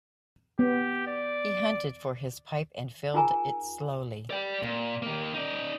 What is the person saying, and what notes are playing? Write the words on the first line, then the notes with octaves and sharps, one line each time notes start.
He hunted for his pipe and filled it slowly.
B3 G4
D5
D#4 F4 G#4 A#4 G#5 A#5
D5 G5
A#2
D#3 A#3
D#4 D5